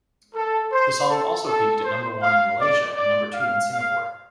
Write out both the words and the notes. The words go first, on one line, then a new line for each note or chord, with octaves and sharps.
The song also peaked at number one in Malaysia and number two in Singapore.
A4
C5
A4
A4
C5
F5
D5
D5
F5
F5